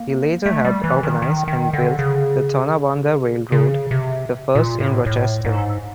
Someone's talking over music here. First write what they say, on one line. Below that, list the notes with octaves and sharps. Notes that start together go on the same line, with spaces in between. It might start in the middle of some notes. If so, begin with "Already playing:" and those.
He later helped organize and build the Tonawanda Railroad, the first in Rochester.
Already playing: A#3
A3
G3
E3
D#3
D#3
D#3
D3
C#3
C#3
C3
A#2
A2
A2
G#2